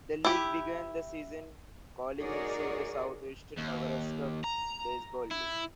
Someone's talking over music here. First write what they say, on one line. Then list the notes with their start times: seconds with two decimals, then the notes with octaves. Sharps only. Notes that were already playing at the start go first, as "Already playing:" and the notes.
The league began the season calling itself the Southwestern Nebraska Baseball League.
0.25 E4 G4
2.19 D#4 F#4 G#4 A#4 C#5 D5
3.57 D#2
4.44 A#5
5.31 E4